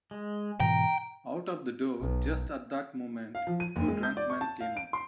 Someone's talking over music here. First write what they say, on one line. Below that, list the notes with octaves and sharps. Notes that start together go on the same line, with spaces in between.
Out of the door, just at that moment, two drunk men came out.
G#3
G#2 B2 E3 G5 A#5
B1
F5
F3
D#7
F#1
G#3
G6
D5
C#6
A5
F5
D7
C6